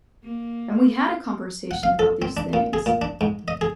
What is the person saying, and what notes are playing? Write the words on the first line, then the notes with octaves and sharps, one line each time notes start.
And we had a conversation about these things,
A#3
F#5
F5
A4
C4
D4
A#2
G#4
A#2
D4
G#2
D#5
G#4